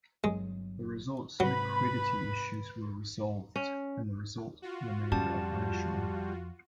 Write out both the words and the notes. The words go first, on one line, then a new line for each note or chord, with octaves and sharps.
The resort's liquidity issues were resolved and the resort remained operational.
G1 G2 F#3 G#3
G#2 C3 F#3 B4 B5
C#4
F4 F#4
F2 G3 C#4 A5